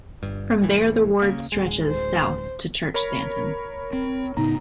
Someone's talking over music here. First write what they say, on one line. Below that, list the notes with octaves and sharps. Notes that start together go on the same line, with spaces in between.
From there the ward stretches south to Churchstanton.
G1 G2
C2 A2 E3
C#3 A#3
D1 G#3
C5
A#4 C#5 B5
C4
A2 C#3 B3 D#4 A#5